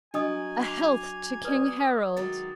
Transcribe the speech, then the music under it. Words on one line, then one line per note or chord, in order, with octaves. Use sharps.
"A health to King Harald!"
F#3 D4 D#5 G#5 D#6
D6 C7 F7
B4 D5 D#6 G#6
D#3 F#3 G#3 A6